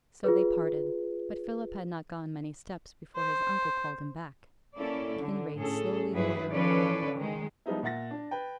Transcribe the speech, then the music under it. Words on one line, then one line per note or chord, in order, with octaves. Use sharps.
So they parted; but Philip had not gone many steps before his uncle called him back, Kinraid slowly loitering on meanwhile.
F4 G#4 B4
C5
A#3 C#4 E4 A4 D5
D3
A2 C#4 G#4 A4
G2 F#3 E4 G#4 B4
F3 C#4 A4 B4 C#5 D5
D#3 G#3
F3 G3 G#3 B3 D#4 E4
A#2 E5 F#5 A6 A#6
D4
B4 G5